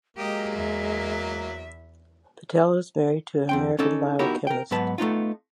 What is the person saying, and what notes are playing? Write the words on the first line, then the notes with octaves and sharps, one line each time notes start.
Patel is married to an American biochemist.
F#3 G#3 A#3 G4 D#5
E2 E5
E2 C4 G5
C#4 D#4 A4 D5
B3 D#4 E4 F#4 G4 A#4
A#4 G5
G#2 F#3 B3 B4 A5
A3 B3 D#4 F4